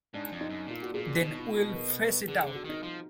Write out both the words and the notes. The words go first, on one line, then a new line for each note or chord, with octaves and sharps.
Then we'll face it out.
G#2 D4
F2
D#4
F#2
A#2 F4
F#4
A#2 G#4
B2 D#4
D#4
F4
G#4
B4
A#4
B4
D3 G#4
D3 G#4
F#4
D#3 D#4
F3